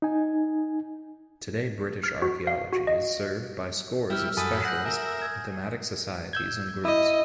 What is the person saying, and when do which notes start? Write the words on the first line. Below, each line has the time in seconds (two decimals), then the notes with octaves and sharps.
Today British archaeology is served by scores of specialist and thematic societies and groups.
0.02 D#4 G#5
2.04 F6
2.22 F#4
2.47 F5
2.73 F#4
2.87 D#5
4.10 G3 E4 E6 F6
4.37 F#2 A4 G#5 B5 D#6 D#7
4.65 F#5 G6 A#6
4.86 A#4 E5 G#5
5.22 G#6
6.33 E6 G6 G#6
6.85 E4 D#5 E6